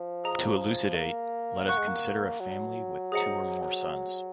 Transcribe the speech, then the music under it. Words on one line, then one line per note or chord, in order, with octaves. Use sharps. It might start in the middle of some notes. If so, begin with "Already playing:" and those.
To elucidate, let us consider a family with two or more sons.
Already playing: F3
G#4 D#5 A#5 D#6
A#3
A#3 F#5 C#6 F#6
G#3
A#3
F#3
G#4 C5 D#5 F#5 A#5